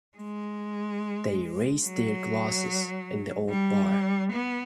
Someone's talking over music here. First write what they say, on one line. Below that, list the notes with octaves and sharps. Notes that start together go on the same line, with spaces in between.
They raised their glasses in the old bar.
G#3
F#3
G3
B3